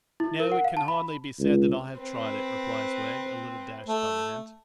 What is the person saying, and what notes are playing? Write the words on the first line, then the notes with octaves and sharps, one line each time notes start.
'No, it can hardly be said that I have tried it,' replies Wegg, a little dashed by the hint.
E4
A#4
F#5
F5
A5
B5
C#2
C4 B4
A3